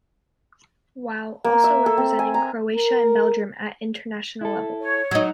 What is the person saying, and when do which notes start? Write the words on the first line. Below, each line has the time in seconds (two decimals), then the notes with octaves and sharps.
While also representing Croatia and Belgium at international level.
1.44 A#3
1.64 E5
1.86 A4
1.98 C4
2.19 G#5
2.34 A#5
2.76 A#4
4.41 E4 A4
4.81 C#5
5.11 F#3 D#4